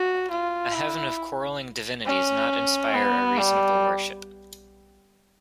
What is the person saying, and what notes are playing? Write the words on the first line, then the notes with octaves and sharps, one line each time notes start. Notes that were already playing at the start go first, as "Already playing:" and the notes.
A heaven of quarrelling divinities not inspire a reasonable worship.
Already playing: F#4
F4
E4
C#4
B3
G3